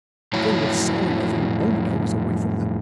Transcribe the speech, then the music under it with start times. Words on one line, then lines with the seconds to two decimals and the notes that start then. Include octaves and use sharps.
They were sorry every moment I was away from them.
0.33 F2 A2 F#3 E4 C#5